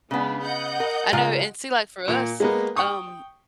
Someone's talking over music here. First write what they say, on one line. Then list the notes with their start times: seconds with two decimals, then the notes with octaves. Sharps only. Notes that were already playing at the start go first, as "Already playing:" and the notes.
I know, and see, like, for us, um
0.11 C#3 G#3 B3 D4
0.44 D#5 F#5 G6
0.80 A#4
1.13 C#3 G#3 F4 A#4
2.08 A#2
2.40 G#3 A#3 B3
2.76 G5 C#6 D#6